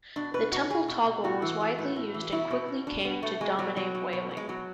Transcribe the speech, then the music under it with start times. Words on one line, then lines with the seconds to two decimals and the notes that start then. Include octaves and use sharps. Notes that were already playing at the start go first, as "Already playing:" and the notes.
The Temple toggle was widely used, and quickly came to dominate whaling.
0.16 B2 D4
0.34 B2 B4
0.52 B2 F#4
0.70 B2 G#4
0.88 B2
1.06 B2
1.24 A2 F#4
1.42 E3
1.60 E3
1.79 A2
1.96 A2
2.14 E3
2.32 B2 E4
2.51 B2
2.68 B2
2.87 B2 D4
3.05 B2 B3
3.22 B2 A3
3.41 B2 G#3
3.59 B2 F#3
3.77 B2 F#3
3.95 B2
4.13 B2
4.31 B2
4.37 G#3
4.49 B2 F#3